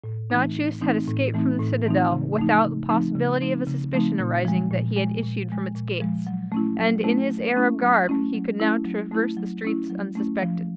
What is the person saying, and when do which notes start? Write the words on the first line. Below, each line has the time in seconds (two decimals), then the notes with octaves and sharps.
Malchus had escaped from the citadel without the possibility of a suspicion arising that he had issued from its gates, and in his Arab garb he could now traverse the streets unsuspected.
0.04 A2
0.30 E3 A3 C4 D#4
0.56 A2
0.81 E3 A3 C4 D#4
1.08 A2
1.34 E3 A3 C4 D#4
1.59 A2
1.86 E3 A3 C4 D#4
2.11 C#3
2.37 F3 A3 C4 D#4
2.64 C#3
2.89 F3 A3 C4 D#4
3.15 C#3
3.41 F3 A3 C4 D#4
3.67 C#3
3.93 F3 A3 C4 D#4
4.19 A#2
4.45 F3 G#3
4.71 A#2
4.96 F3 G#3
5.23 A#2
5.48 F3 G#3
5.75 A#2
6.00 F3 G#3
6.27 F#3
6.52 A3 C#4 E4
6.79 F#3
7.04 A3 C#4 E4
7.30 F#3
7.56 A3 C#4 E4
7.81 F#3
8.08 A3 C#4 E4
8.34 F#3
8.60 A3 C#4 E4
8.85 F#3
9.11 A3 C#4 E4
9.37 F#3
9.63 A3 C#4 E4
9.90 F#3
10.15 A3 C#4 E4
10.42 F3